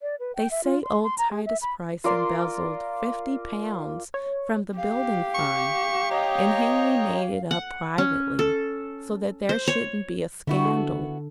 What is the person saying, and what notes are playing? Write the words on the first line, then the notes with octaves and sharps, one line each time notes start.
'They say old Titus Price embezzled fifty pounds from the building fund, and Henry made it up, privately, so that there shouldn't be a scandal.
D5
B4
G5
E5
F4
C6
C6
A#5
G#4
E5
B5
F4 A#4 D5 C6
C#5
G4 F5
C#6
C#5 D#5 G5 A#5
F#5
C#4
A4
C5
C#5
D3 B3 E4 F#4
A4